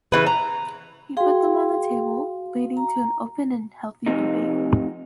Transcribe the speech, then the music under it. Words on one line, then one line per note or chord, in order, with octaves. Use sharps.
He put them on the table, leading to an open and healthy debate.
C#3 E3 B4
A#5
F#4 G#4 F5 G5 C6
A#5
F2 C3 D#4